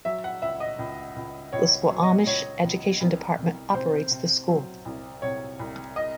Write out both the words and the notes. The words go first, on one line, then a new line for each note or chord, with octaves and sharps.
The Squamish education department operates the school.
F#3 E5
F#5
C#2 E5
D#5
C#2
C#2
C#2 C#5
F#3
D#5
C#2 C#5
C#2
C2
C3
C3 C5
C3
F#3
C2
C3 C#5
C2
D#5